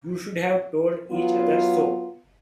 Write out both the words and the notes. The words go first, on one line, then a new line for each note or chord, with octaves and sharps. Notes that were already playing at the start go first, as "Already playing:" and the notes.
You should have told each other so.
F#3 B3 F4